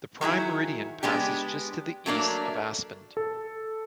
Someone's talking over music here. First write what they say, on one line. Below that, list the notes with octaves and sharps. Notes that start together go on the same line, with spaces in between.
The Prime Meridian passes just to the east of Aspenden.
D#3 F#3 E4 G#4
G#3 B3 D4 G4
F#3 A3 A#3 D4
A4